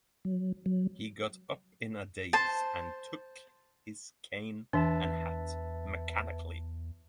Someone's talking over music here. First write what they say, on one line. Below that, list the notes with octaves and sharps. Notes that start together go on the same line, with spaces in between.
He got up in a daze and took his cane and hat mechanically.
F#3
F#3
C5 A5
E2 E3 D4 B4 E5 A5